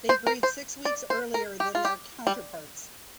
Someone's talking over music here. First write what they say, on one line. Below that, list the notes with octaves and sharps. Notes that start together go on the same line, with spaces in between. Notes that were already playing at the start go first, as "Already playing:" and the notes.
They breed six weeks earlier than their counterparts.
C5
A#4
C5
D5
C5
A#4
G4
F4
G4
G3